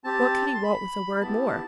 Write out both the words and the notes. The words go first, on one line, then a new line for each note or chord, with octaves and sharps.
What could he want with a word more?
C4 G4 A5
C6
B5
B5
B3 E4 G4 A5